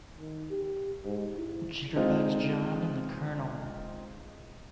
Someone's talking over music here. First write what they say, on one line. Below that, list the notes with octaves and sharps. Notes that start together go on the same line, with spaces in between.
Jitterbugs JOHN and the COLONEL.
D#3
G4
G#2
E4
G#3 C4 D#4 F4